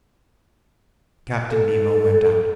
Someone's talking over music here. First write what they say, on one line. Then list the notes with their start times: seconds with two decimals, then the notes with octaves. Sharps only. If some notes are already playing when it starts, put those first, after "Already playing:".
Captain Nemo went out.
1.51 A4